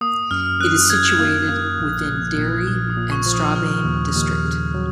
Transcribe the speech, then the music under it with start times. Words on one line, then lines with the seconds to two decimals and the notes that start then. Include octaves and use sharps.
It is situated within Derry and Strabane district.
0.01 A#3 D#6
0.31 F#2 F6
0.60 F#2 F#6
0.90 F#2 G#6
1.19 A#3
1.48 A#3
1.79 A#1
2.08 A#1
2.37 A#2
2.67 A#1 F6
2.90 D#6
2.96 A#2
3.12 C#6
3.26 F3
3.34 D#6
3.55 C#3 F6
3.85 D#2
4.15 D#2
4.45 C#3
4.74 F#3